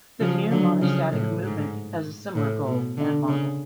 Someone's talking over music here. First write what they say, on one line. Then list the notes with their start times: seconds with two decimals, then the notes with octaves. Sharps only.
The New Monastic movement has a similar goal and model.
0.20 C#3 F3
0.51 D3 F#3
0.82 C#3 F3
1.13 A2
1.44 G#2
2.35 A2
2.66 B2
2.97 D3
3.28 C#3